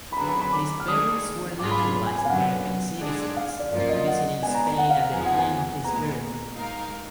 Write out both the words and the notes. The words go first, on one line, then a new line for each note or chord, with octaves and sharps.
His parents were naturalized American citizens, visiting Spain at the time of his birth.
B5
D3 F#3 D4 G#4 B4 A#5
B5
B5
D6
F6
D#3 G#3 D4 G#4 D#6
G#2 F#3 D4 F4 G#4 D6
B5
B5
B5
G#5
G#5
F5
F#2 D3 F#3 B3 F#5
D3 G#3 D4 G#4 D5
F5
D5
F#2 F3 A#3 F4 D5
D#5
F#5
G#3 B3 D4 G#5
A#5
A#5
F#5
F5
F#5
F2 F3 B3 D#4 G#4 G#5
F#5
G#5
A#2 G#3 B3 A#5
G#3 D#4 A#4 F5